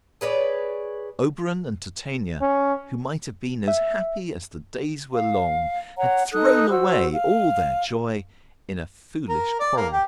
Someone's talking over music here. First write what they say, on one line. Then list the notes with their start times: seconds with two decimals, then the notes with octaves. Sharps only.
Oberon and Titania, who might have been as happy as the days were long, had thrown away all their joy in a foolish quarrel.
0.21 G#4 B4 C#5 D5
2.41 C#4
3.68 E5
5.14 F5
5.98 C#5 F#5 A#5
6.33 D#4 A4 D#6 F#6
6.69 F#4 C5 E6
7.13 F5
9.29 A#4
9.60 D5
9.77 A#3
9.92 G4